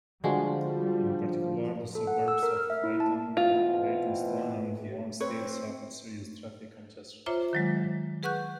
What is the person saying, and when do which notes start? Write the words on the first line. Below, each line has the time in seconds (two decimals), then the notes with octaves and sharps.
In particular, the suburbs of Leyton, Leytonstone and Wanstead suffered serious traffic congestion.
0.24 D3 F3 G3 G#3 D4 F#4
1.95 A4
2.07 F#5
2.28 E6
2.43 A#4
2.57 F6
2.70 E5
2.84 E4
3.00 A5
3.37 B2 E3 C4 F4
5.20 C4 B4 C#5
7.26 F4 C5 C#5 E5 A#5 D6
7.53 D#3 F#3 G#3
8.23 G#4 B4 F#5 C#6 F#6 G6